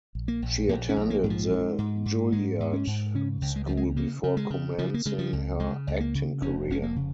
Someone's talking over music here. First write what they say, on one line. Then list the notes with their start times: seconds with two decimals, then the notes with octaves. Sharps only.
She attended the Juilliard School before commencing her acting career.
0.15 A#1
0.28 A#3
0.42 A#1
0.69 A#1 A#3
0.89 C#4
0.96 A#1
1.10 A#3
1.24 G#2
1.30 F3
1.51 G#2
1.78 G#2
2.06 G#2
2.32 G#2 G#3
2.60 G#2
2.73 C#4
2.87 G#2
3.15 C#3 C#4
3.41 C#2
3.56 G#3
3.66 C#2 F3
3.77 G#3
3.96 C#3 A#3
4.23 C#3
4.37 G#3
4.50 C#3
4.78 C#3 F3
4.94 A#3
5.06 C#3 G#3
5.19 F3
5.33 C#2
5.60 C#3 G#3
5.88 C#2
6.00 A#3
6.15 C#3
6.41 F1 C#4
6.70 F1 C#4
6.83 A#3
6.96 C#3